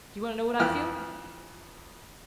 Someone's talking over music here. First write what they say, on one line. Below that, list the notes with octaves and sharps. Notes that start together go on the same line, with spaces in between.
Do you want to know what I feel?
F2 E3 G5 F6